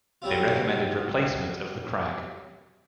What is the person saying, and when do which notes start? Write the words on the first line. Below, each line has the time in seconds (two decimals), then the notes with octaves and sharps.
They recommended replacement of the Krag.
0.22 F#3 G3 C4 F4